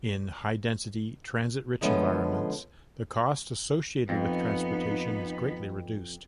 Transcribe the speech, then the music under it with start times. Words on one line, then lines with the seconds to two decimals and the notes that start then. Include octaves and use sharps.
In high density, transit-rich environments, the cost associated with transportation is greatly reduced.
1.81 D3 F3 G#3 A3 B3 C#4
4.09 F2 B3 D#4